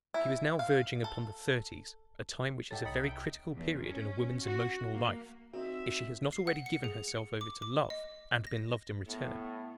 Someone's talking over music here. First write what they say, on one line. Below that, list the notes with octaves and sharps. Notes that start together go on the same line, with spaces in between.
She was now verging upon the thirties--a time which is a very critical period in a woman's emotional life, if she has not already given herself over to love and been loved in return.
E4
F5
A4
D#4 G4 A4 C#5 F#5 G5 A6
C2 D3 D#5 A#5 B5 D#6 C#7
E5 G5 D7
E2
C#4
F#4
A#3
C4 D#4 F#4 E5
C7
F#5
C#7
G#4
C#7
D6
D6
D#5
A#6
A2 B3